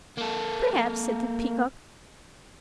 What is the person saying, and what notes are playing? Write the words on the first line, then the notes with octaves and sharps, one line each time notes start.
"Perhaps," said the Peacock.
A#3 A4